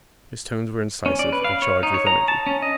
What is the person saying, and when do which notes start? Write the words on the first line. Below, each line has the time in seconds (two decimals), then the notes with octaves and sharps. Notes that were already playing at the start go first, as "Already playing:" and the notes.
His tones were incisive and charged with energy.
1.06 C#4
1.19 D5
1.32 B4
1.44 F5
1.62 C#5
1.83 D#4
1.94 C#5
2.07 A#5
2.28 A5
2.46 C#4
2.62 D#5